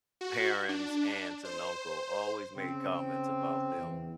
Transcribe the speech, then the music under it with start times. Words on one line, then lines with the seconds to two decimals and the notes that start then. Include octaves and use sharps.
parents, aunts and uncle always made comments about them,
0.21 F#4
0.69 D4
1.45 C5
2.56 C#3 C4
3.77 E2